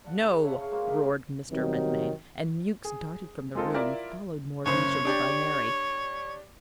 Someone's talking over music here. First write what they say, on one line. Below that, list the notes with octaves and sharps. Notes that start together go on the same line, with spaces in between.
"No!" roared Mr. Redmain; and Mewks darted from the room, followed more leisurely by Mary.
D4 D5 F#5
C#4 D#4 E4 G#4
C#3 D4 C#5 E5
C#5 F5
G#3 A#3 F#4 C5
A#4 D#5 E5 D6
C2 C3 D#3 F#3
G#4
G#3 C4 F4 A4 A#4
E4 F4 A#4 D5 E5
F#1 C#3 C5 C#5
D4 G4 D5